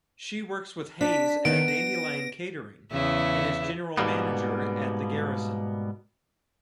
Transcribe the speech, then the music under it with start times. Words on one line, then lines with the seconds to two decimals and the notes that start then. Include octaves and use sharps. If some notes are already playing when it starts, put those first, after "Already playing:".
She works with Hayes at Dandelion Catering and is general manager at The Garrison.
1.01 D4 B6
1.45 D#3 B3 D7
1.68 A#6
2.92 E2 C#3 E4
3.97 G#2 B2 D#3 G3 A#3 B3